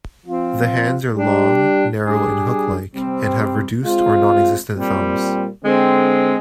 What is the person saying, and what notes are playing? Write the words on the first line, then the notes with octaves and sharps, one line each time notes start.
The hands are long, narrow and hook-like, and have reduced or non-existent thumbs.
F3 C4 F4
G3 D4 G4
G3 D4 G#4
C3 G3 C4
G#3 C4 F4
A#2 G3 C4
D3 G#3 C4